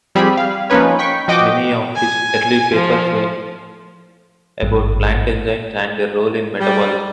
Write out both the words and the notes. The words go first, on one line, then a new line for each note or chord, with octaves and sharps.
Many of his early papers were about plant enzymes and their role in metabolism.
F3 G3 C4 G#4 B5
F5
F3 A#3 C#4 D#4 B4 C#5
G5 C#6 B6
F3 F#4 D#5 G5 D6
G#5
F3
G#1 G2
G3